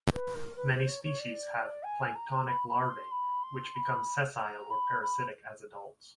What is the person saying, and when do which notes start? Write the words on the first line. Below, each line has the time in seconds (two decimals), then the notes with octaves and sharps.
Many species have planktonic larvae which become sessile or parasitic as adults.
0.13 B4
0.34 A#4
0.55 B4
0.71 C5
0.87 C#5
1.03 C#5
1.19 D5
1.83 G#5
2.15 A#5
2.46 B5
2.68 B5
2.89 C6
3.11 B5
3.43 C6
3.74 B5
4.38 A#5
4.70 B5
5.02 B5